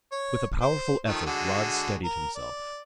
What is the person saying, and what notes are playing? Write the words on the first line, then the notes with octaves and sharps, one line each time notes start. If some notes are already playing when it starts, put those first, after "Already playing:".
With a powerful effort Rod steadied himself.
C#5
C5
D#3 F3 A3
D3 G#3 F#4
A#4
D5